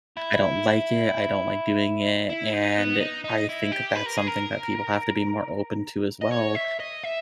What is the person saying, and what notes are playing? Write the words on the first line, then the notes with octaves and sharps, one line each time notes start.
I don't like it, I don't like doing it, and I think that's something that people have to be more open to as well,
E4
E4
D#4
B3
D#4
D#4
E4
G4
B4
A#4
G#4
A#4
D#5
C#5
E5
D#5
E5